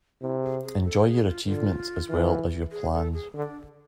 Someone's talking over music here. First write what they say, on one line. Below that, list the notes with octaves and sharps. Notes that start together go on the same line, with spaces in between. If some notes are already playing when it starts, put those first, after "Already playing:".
Enjoy your achievements as well as your plans.
C3 E4
G#4
G#4
A4
G#4
F4
D3 F4
E3
G#4
A4
G#4
D3 D4